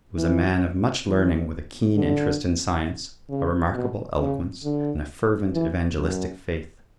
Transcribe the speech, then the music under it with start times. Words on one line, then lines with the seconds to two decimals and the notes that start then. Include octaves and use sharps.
"He was a man of much learning, with a keen interest in science, a remarkable eloquence, and a fervent evangelistic faith."
0.16 E3
1.05 E3
1.95 D3
3.29 C#3
3.74 B2
4.19 C#3
4.64 D3
5.53 E3
5.98 F#2